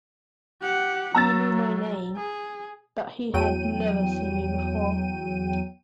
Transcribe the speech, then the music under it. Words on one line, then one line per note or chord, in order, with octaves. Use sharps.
He knew my name, but he had never seen me before.
G4 F#5
F#3 A#5 E6 A6
G#4
E2 F#3 G5 D#7